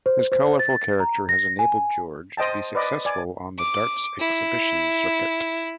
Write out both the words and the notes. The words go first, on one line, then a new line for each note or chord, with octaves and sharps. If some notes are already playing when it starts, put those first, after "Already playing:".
His colourful character has enabled George to be successful on the darts exhibition circuit.
C5
C5
A6
A#5
A#6
G#5
C5 D#5 G5 A5
B4 D5 D#5
D5 G#5
D6
E4